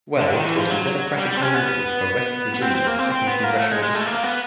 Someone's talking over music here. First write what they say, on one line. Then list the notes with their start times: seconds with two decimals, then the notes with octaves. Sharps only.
Wells was the Democratic nominee for West Virginia's Second Congressional District.
0.21 D3
0.33 D#3
0.46 E3
0.57 F3
0.69 F#3
1.18 G3
1.30 G3
1.36 C4
1.41 C#4
1.54 B3
2.54 B3
2.62 C4
2.75 C4
2.87 A#3
2.99 C4
3.11 C4
3.27 B3
3.44 A#3
3.59 A3
3.72 G#3
3.83 G#3
3.95 A3
4.07 A#3
4.24 B3